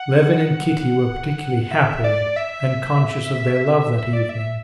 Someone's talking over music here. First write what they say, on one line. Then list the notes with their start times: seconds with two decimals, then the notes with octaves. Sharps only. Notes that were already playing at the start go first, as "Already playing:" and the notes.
Levin and Kitty were particularly happy and conscious of their love that evening.
Already playing: F#5
1.71 E5
2.04 D5
2.36 E5
3.66 E5
3.82 E5
3.98 E5
4.13 D5
4.29 E5